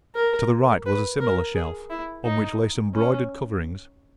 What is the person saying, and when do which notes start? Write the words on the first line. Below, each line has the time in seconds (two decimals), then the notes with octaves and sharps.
To the right was a similar shelf, on which lay some broidered coverings.
0.15 A#4
0.86 B4
1.20 A#4
1.54 G#4
1.90 E4
2.24 D#4
2.94 C#4